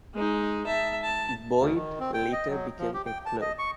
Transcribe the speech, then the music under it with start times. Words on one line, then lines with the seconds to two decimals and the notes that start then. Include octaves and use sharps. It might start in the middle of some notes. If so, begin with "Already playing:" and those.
Boyd later became a clerk.
0.14 G#3 D#4
0.66 E5 A5
1.02 A5
1.60 D2
1.75 D#3
2.00 C4
2.14 G5
2.32 D#5
2.49 F#3
2.79 F3
2.94 G4
3.06 G5
3.26 A5
3.41 D#5
3.59 C#6